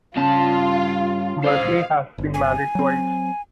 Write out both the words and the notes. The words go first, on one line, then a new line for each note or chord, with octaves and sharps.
Berkeley has been married twice.
G2 C#3 F4 A5
C5 D#5 F5
G1
G#5
F#3 C4